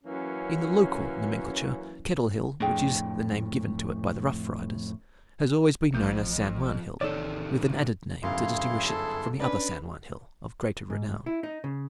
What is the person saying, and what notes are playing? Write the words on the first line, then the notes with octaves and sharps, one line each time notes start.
In the local nomenclature Kettle Hill, which is the name given to it by the Rough Riders, has always been known as San Juan Hill, with an added name to distinguish it from the other San Juan Hill of greater renown.
F#2 E3 A#3 C#4
F2 A2 D4 G#4 G5
A1 F2 A3 G6
A1 C3 D#3 A4 C#5 D5
G1 F#2 E4 G#4 F5 C6
A4
C#4 D4 B4 D5
G#2
E4
D#4
C#3